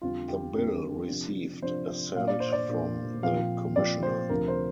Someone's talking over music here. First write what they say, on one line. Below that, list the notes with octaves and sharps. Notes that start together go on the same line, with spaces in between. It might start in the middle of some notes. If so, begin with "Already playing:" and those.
The bill received Assent from the Commissioner.
F2 D3 G3 C4 F4
G4
F2 D3 G3 C4 A#4
C3 F3 D4
C3 F3 D4 C5
A#2 A#3 D4 F5
D5
C5
D5
A#2 A#3 D4
A#2 F3 C4 F5
A#2 F3 C4 D5
C5
D2 C3 F3 A#4
C5